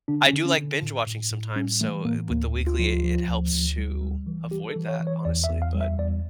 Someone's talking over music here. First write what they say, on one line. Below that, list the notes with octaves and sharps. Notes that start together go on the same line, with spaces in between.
I do like binge watching sometimes, so with the weekly, it it helps to avoid that, honestly. But,
D3 D4
C#4
D3
C#4
D3
A2
A2
A2
G3 C#4
E3 A3
A2 A#3
D2 A#3
D2
F4
F3
F3
D2
D2
G3
G3
E3
G3 G4
A4
E3
C#5
E3
C#5
E2 D5
E5
E2
F5
G3
E5
E2 D5